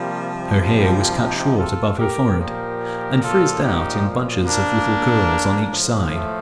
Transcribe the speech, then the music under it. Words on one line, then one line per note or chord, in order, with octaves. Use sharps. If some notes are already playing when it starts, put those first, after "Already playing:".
Her hair was cut short above her forehead, and frizzed out in bunches of little curls on each side.
Already playing: C3 F3 G3 A#3
G3
G3 A#3
D#4 G4
F4 A4
G4 A#4
A#2 F3 G4 A#4
F4 A4
D#4 G4
A#3 D4
A2 F3
A3